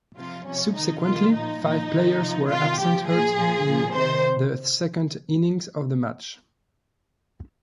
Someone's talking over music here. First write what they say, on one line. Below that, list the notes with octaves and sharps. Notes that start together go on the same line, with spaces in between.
Subsequently, five players were absent hurt in the second innings of the match.
C3 F3 F4
C3 F3 C#4
C3 D#3 D#4
C3 D#3 F4
A#2 F3 D#4
A#2 F3 D#4
C3 D#3
C3 F3
C3 D#3 F4
C3 F3 G4
A#2 F3 G#4
A#2 F3
A#2 F3
C3 D#3 C5